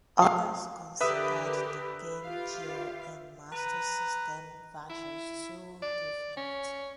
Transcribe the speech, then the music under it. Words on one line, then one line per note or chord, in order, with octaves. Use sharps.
Others considered the Game Gear and Master System versions too difficult.
F5
D3 G4 A#4 B4 E5 D#6
F4 G4 F5
B4 A#5
E4
D5
C#4